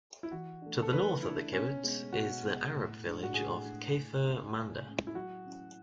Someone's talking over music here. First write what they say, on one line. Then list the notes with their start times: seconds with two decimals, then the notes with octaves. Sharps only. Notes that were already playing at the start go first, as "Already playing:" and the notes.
To the north of the kibbutz is the Arab village of Kafr Manda.
0.23 E4
0.32 E3 F#4
0.62 A3 D4
0.82 A4
0.92 E3 B4
1.22 A3 D4 E4
1.53 B2 C#4
1.83 G#3 B3
2.13 B2 F#4
2.43 G#3 B3
2.73 A2
3.04 G#3 D4
3.23 F#4
3.34 A2 G#4
3.64 G#3 D4
3.94 A2
4.25 G#3 C#4
4.55 A2
4.85 G#3 C#4
5.07 E4
5.15 F#3 F#4
5.45 C#4 E4